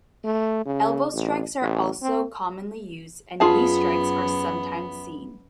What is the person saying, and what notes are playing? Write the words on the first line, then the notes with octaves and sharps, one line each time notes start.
Elbow strikes are also commonly used, and knee strikes are sometimes seen.
A3
C#3
A1
A1
C4
F#2 B3 F4 G#4 A5